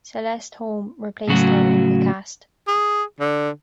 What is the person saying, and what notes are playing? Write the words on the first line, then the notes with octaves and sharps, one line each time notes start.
Celeste Holm replaced her in the cast.
A2 C#3 F#3 F#4
G#4
D3